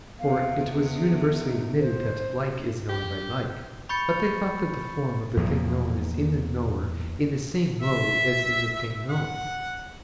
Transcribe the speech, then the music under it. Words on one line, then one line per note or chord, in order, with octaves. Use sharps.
For it was universally admitted that "like is known by like." But they thought that the form of the thing known is in the knower in the same mode as in the thing known.
E2 F5
G#4
D#4
C5
G4
B5 C#6 G6 A6 C#7
E2 F3 A#3
E5
F#5